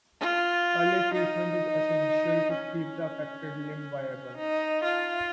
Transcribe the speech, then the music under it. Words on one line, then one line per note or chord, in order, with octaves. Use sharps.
Early treatment is essential to keep the affected limb viable.
F4
D#4
C#4
D#4
F4